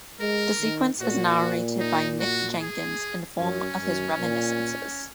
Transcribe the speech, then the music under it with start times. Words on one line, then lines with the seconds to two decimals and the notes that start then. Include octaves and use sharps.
The sequence is narrated by Nick Jenkins in the form of his reminiscences.
0.20 G#3 A#4
0.60 D#3
1.00 A#2 F#4
1.80 D#4
2.20 F#4
2.60 G#4
3.39 F#2 C#4
3.80 F#2
4.19 A#2